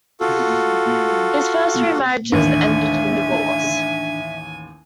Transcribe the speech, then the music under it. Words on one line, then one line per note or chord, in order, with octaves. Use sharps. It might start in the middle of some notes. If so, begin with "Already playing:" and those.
His first three marriages ended in divorce.
F4 F#4 A4
A1 D#2 D4 E5 G#5